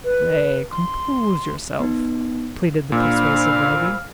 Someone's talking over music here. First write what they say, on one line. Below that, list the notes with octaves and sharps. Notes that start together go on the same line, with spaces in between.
"Pray compose yourself," pleaded the persuasive Wragge.
B4
C6
B3 D#4
A#2 D4 C5 F5 B5 E6